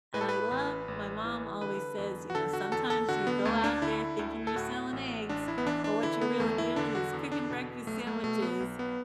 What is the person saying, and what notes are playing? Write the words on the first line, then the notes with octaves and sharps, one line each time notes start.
and I love My mom always says, you know, "Sometimes you go out there thinking you're selling eggs, but what you're really doing is cooking breakfast sandwiches,"
A2 B4
A4
B4
A1
A1
E3
D3 B4
E2
F#4
D3 A4
F#4
E2 A4
A4
D3 F#4
B3
D2 A3
D4
D3 E4
D2
A4
A2 F#4
A1
A1 D4
E4
B3
E3 D4
D4
D3 E4
B3
E2 A3
E4
D3 D4
F#4
E2
D4
B2
B1 A3
A3
B2 A3
B3
B1
B3